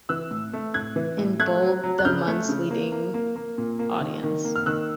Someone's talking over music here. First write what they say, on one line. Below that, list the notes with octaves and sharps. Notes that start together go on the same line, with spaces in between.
In bold, the months leading audience.
E3 E6 F#6
A2
A3
A2 F#6 G#6
E3
A2
A3 F#6 G#6
F#3
F#3
F#6
C#3 F6 G6
A3
C#3
A#3
A#3
A#3
A#3
A#2
A#3
D#3
D#3
A#3
F6
D#3 E6 F#6